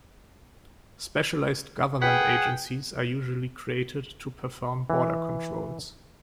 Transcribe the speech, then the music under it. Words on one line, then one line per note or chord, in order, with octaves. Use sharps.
Specialized government agencies are usually created to perform border controls.
G#4 B4 F#5 G5 B6
E3